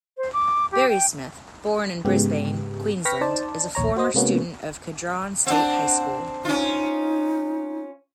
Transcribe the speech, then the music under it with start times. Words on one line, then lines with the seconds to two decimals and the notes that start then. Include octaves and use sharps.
Barry-Smith, born in Brisbane, Queensland, is a former student of Kedron State High School.
0.17 C5
0.33 D6
0.71 G4
0.89 G5
2.05 G#2 C#3 G#3 B3 G4
3.05 B4 G5 C#6 F6 A#6 B6
3.21 D#4 C5 D5 A5
3.75 A#1 D#2 C#5 A#5
3.96 F#4 C5 D#5
4.14 C3 G#3 A#3 B3 C#4 F#4
5.46 C4 D4 F#5
6.45 C#4 D#4 F4